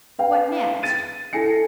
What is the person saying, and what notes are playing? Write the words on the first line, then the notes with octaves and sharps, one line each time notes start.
"What next?"
B4 F5 G5
A6 D#7
E4 A4 G#5 A#6 C7 C#7